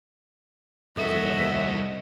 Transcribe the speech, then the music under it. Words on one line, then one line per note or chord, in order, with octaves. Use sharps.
was another one.
C2 F#4 A4 A#4 D#5 E5